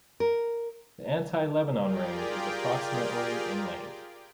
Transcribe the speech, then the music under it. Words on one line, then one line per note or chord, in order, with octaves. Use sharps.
The Anti-Lebanon range is approximately in length.
A#4
F4 G4 G#4 A#4 D5 G5